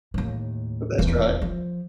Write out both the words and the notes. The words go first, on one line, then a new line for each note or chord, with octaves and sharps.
but that's right.
D#2 A2
D#1 E2
F3